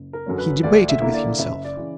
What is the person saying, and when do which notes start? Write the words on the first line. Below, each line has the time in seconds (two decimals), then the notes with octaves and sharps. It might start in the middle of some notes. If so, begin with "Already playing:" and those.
He debated with himself.
Already playing: F#1
0.13 A#4
0.26 F#2 D3 F#3 C#4
0.38 B4
0.63 D2 D5
0.89 E5
1.01 D3 A#3 E4
1.14 D5
1.39 F#1 E5
1.64 D5
1.77 C#3 E3